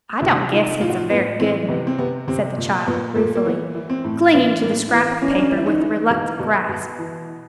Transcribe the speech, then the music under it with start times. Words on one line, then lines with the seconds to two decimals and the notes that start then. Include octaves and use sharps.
"I don't guess hit's a very good'n," said the child, ruefully, clinging to the scrap of paper with reluctant grasp.
0.22 C3 E4
0.51 D#3 F4
0.81 A2 F4
0.89 F#4
0.97 F4
1.10 A2 B3
1.39 E3 C4
1.68 C3 B3
1.87 C4
1.98 C3 B3
2.28 C3 C4
2.57 A#2
2.87 A#2 B3
3.16 A#2 A#3
3.35 A#3
3.45 E3 B3
3.75 E3
3.89 C4
4.04 A2
4.33 E3 B3
4.63 A2 A#3
4.92 E3 B3
5.22 E3 C#4
5.30 D4
5.38 C#4
5.52 E3
5.57 E4
5.66 D#4
5.81 E3
6.10 B2
6.39 B2
6.69 B2
6.98 E3